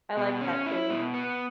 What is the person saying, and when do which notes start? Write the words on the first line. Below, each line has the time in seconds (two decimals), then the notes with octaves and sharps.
I like that, too.
0.17 B2
0.41 C#4
0.66 E4
0.90 B2
1.14 B3